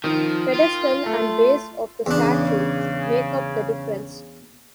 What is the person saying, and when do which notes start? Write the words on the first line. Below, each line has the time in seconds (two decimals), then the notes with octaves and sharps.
Pedestal and base of the statue make up the difference.
0.04 D#3 F3
0.54 F4
1.06 A3
2.06 E2 C#3 D4